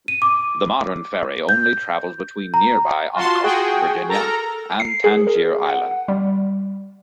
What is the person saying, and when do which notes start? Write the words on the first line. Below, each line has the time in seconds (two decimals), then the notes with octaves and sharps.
The modern ferry only travels between nearby Onancock, Virginia and Tangier Island.
0.08 D#7
0.22 D6
1.49 G6
2.54 A#5
3.14 F4 F#4 A5 C6
3.43 F#4 G#4 G5
4.09 A4 A#4 A#5
4.80 C7
5.04 G#4
5.27 A#4
5.69 F#5
6.08 G3